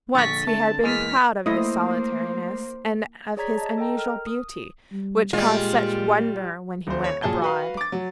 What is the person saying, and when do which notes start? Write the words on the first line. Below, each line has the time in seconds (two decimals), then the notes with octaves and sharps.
Once he had been proud of his solitariness and of his unusual beauty, which caused such wonder when he went abroad.
0.15 A#1 D3 C#6 A6 B6
0.47 A3 C4 A5
0.84 E2 G#3 A#3 F6 B6
1.46 A3 A#3 E4 C5 D#5 D#6
3.37 G#4 C#5 D5 A#5 G#6 B6
3.57 D#5 A5
3.78 A4 D#5 G5 A#5
3.97 A#4 F6
4.27 D#6
4.92 G3
5.33 A#2 G3 G#3 F4
6.87 D#1 C5
7.04 C#5
7.22 A#2 F#3 G#4 A5 G7
7.42 F#4 B4 F5
7.77 D6 A6
7.92 F#3